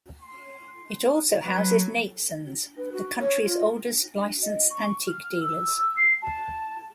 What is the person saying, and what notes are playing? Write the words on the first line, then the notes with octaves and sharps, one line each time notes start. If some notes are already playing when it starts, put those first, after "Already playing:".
It also houses Natesans, the country's oldest licensed antique dealers.
C6
F#3 B4
B4
F#4
C#5
F4
D#5
C#6
F6
E6
C7
A5